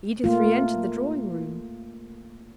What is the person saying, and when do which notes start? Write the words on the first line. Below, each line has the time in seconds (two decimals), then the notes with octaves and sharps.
Edith re-entered the drawing-room.
0.24 A3 A#3 F4